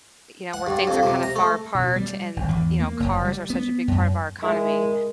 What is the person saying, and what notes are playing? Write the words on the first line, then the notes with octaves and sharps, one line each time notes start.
you know, where things are kind of far apart and, th you know, cars are such a big part of our economy.
F#5
G2
F2
C3
A#5
A3
B2
G3
G#1
E2
A#3
F#1
G3
B3
F#2
G#3 E4 A#4